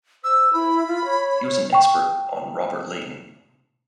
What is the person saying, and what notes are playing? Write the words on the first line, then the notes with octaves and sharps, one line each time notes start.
He was an expert on Robert Leighton.
C5 E6
E4 B5
F4
C#5
C#5
G5 C#6